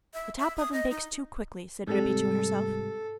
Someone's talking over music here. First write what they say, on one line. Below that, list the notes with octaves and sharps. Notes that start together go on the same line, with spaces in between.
"The top oven bakes too quickly," said Ribby to herself.
E5
E5
D#6
D#5
D#4
G#2 C3 G3 A4